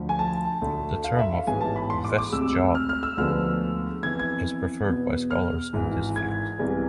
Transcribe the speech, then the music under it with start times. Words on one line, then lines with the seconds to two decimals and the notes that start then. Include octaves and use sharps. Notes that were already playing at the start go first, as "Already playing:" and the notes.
The term of "West Java" is preferred by scholars in this field.
Already playing: D2 D3 F3
0.09 G#5
0.19 A5
0.62 D2 D3 A3
1.04 F5
1.19 E5
1.33 F5
1.47 A1 G#2 E3 G#3 B3 G#5
1.61 A5
1.76 B5
1.90 C6
2.05 D6
2.18 D6
2.32 D2 C3 G#3 E6
2.75 F6
2.89 F6
3.03 E6
3.17 D2 D3 F3 G#3 B3 F6
4.03 F2 E3 B3 G#6
4.19 G#6
4.88 E2 B2 B3
5.31 F6
5.73 G#1 G#2 E3 G#3
6.16 G#6
6.59 C2 C3 E3 G#3 B3